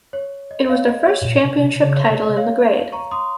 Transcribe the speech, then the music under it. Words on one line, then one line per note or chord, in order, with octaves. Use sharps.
It was their first championship title in the grade.
C#5
D#5
C#5 F5
D#5
C#5
G#2
A#2
C3
C3
C#3 C#5
C#5
C3 D#5
D#5
C#5 F5
A#5 C#6
C6 D#6